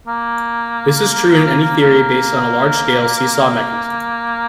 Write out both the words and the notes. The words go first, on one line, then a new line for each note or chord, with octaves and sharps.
This is true in any theory based on a large-scale seesaw mechanism.
A#3
A#3